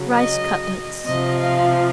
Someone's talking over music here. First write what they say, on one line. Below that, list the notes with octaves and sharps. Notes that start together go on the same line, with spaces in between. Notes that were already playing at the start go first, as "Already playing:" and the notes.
Rice Cutlets.
Already playing: C#3 F#3
D#5
C3 F3 D#5
F5